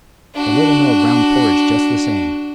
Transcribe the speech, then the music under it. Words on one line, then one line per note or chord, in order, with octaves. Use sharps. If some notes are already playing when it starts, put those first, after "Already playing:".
The Little Mill ground porridge just the same.
D4 F#4